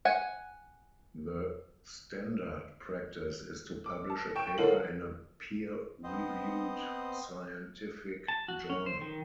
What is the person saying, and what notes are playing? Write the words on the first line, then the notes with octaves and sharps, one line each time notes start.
The standard practice is to publish a paper in a peer-reviewed scientific journal.
F#5 G#5
D6
A5
G5 C#6 E7
A2 D3 D#3 F4 F#7
B3 C4 C5 D#5
A5
F#4
C#4
C5
D#3